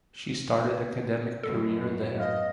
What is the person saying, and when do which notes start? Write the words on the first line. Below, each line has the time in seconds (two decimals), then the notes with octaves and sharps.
She started academic career there.
1.43 F#2 B2 A4
2.19 B4 D#5 F5 F6